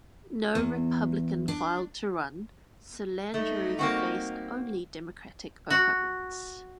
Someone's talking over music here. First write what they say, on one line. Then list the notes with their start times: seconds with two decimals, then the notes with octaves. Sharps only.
No Republican filed to run, so Landrieu faced only Democratic opponents.
0.55 E2
1.48 D4
3.34 G3 A3 D#4
3.79 A#3 C4 F#4
5.70 F#4